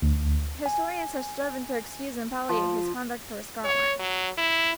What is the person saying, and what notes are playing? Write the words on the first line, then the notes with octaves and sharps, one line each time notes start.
Historians have striven to excuse and palliate his conduct toward Scotland.
D2
G#5
F3
C#5
F#3
E4